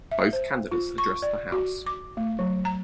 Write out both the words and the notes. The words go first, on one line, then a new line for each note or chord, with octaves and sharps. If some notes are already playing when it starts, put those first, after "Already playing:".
Both candidates addressed the House.
E5
C5
F4
C#6
D5
F#4
D6
A3
F#3
A#5